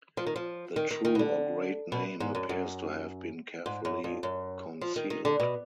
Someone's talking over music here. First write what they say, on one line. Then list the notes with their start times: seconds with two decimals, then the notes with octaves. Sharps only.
The true or great name appears to have been carefully concealed.
0.17 F3
0.27 D#3
0.36 F3
0.76 D#3
0.91 D#3
1.05 D#3
1.15 B2
1.19 D3
1.92 B2
2.20 G#2
2.35 F#2
2.49 F#2
3.66 G#2
3.85 F#2
4.04 F2
4.23 F#2
4.81 F3
4.96 D#3
5.10 D#3
5.25 D3
5.40 B2